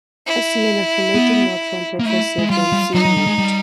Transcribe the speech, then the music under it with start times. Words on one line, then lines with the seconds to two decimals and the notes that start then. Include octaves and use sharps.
I see an affirmative nod from Professor Donceel-Voute.
0.27 E4
1.15 B3
1.99 A#3
2.05 A3 E4
2.38 G#3
2.50 G3 F4
2.72 G3
2.94 F#3 D#4
3.05 F#3
3.17 G3
3.27 G#3
3.38 G3